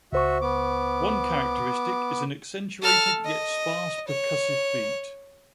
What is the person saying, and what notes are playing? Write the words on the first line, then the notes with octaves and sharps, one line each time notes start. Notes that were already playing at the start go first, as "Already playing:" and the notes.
One characteristic is an accentuated, yet sparse percussive beat.
C#2 F#4 C5 E5 C#6
B3 D6
A4 F6
D#5
C#5